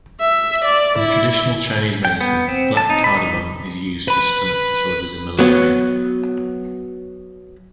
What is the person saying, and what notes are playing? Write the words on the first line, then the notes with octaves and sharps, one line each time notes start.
In traditional Chinese medicine, black cardamom is used for stomach disorders and malaria.
E5
D5
E4
G5
B3
C4
A5
D#4
B5
D#4
B4 B5
F#3 B3